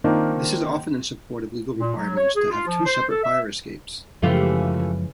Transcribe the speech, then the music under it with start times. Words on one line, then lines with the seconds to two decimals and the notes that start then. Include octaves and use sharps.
This is often in support of legal requirements to have two separate fire escapes.
0.04 D#3 A#3 C4 D4 D#4 F4
1.79 A#2
1.97 F#3
2.17 C#5
2.36 G#4
2.50 F4
2.67 F3
2.86 C5
3.10 A4
3.24 E5
4.22 F#2 C#3 E3 F3 G#3 A3 F4 G4